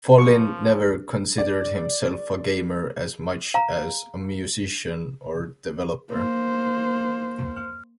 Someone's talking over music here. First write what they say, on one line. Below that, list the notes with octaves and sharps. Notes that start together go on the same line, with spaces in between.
Follin never considered himself a gamer as much as a musician or developer.
F3 C#6
D5
F5 A#5
A#3 C5